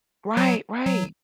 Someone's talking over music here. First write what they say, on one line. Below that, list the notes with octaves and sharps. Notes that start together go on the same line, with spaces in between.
Right, right.
F#3
F#3